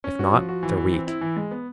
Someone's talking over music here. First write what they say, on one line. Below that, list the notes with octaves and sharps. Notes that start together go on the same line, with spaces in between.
If not, they're weak.
C#4
F#4
F3
F#4
E3
E3
C4
E4
E3
G#3
B3